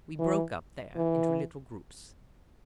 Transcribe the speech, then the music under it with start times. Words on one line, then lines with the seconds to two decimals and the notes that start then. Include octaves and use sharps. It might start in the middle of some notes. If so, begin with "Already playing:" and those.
We broke up there into little groups.
0.19 E3
0.96 E3